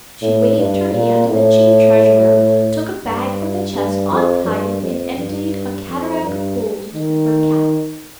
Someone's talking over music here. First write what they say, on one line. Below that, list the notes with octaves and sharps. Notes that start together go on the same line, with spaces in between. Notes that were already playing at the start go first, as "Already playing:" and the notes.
She waved her hand, and the chief treasurer took a bag from the chest, untied it, and emptied a cataract of gold into the fur cap.
A2
G2
A#2
A2
G2
G2
F2
G2
F2
G2
F2
G2
D#3